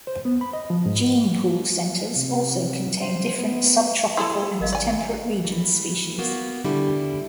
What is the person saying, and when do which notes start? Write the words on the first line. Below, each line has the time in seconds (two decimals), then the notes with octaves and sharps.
Gene pool centres also contain different sub tropical and temperate region species.
0.07 C5
0.25 B3
0.41 B5
0.53 D#5
0.70 F3
0.86 G#2
2.16 C3
3.02 C5
3.39 B3
4.17 E4 G#4 A4 C6 D#6
4.61 G#1 A#4 D#5 F5
4.73 D5 G#5
5.45 E3
6.18 A#3 B3 F#4
6.65 D3 G3 E4